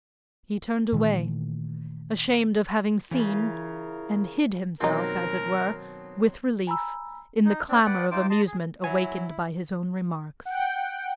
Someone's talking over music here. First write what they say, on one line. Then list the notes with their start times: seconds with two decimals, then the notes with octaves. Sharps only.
He turned away, ashamed of having seen, and hid himself, as it were, with relief, in the clamor of amusement awakened by his own remarks.
0.93 A#2 D#3 E3 A3
3.11 C#3 E3 E4 F4 A#4
4.80 B2 D#3 F3 F#3 A#3 C4 D#4 A#4
6.67 G#5 A#5 B5 E6
7.45 D#4
7.69 C4 D4
7.86 B4 D5 F#5 G5
8.11 D#4 F4 C5 G5 D6
8.30 D#5 A5 C6
8.47 G#4
8.84 F#3 E4 G#5
10.45 F#5 G5